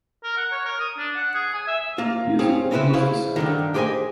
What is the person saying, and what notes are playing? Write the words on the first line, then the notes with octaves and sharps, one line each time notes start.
He is of English descent.
A#4
F#5
C#5
A#4
D#6
D4
F#5
G#4
G#5
E5
A#3 F4
C4 C#4 F4 G#4 C#5
C4 C#4 E4 G4 B4 C5
E4 G#4 C5 C#5 F5
G2 D3 D#3
G4 G#4 C5 D5 D#5 G#5